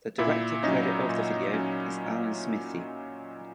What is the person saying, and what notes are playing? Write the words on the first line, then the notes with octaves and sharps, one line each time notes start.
The director credit of the video is Alan Smithee.
A#2 E4 E5
F#3 C#4 D#4 D#5
A#2
F#3 C#4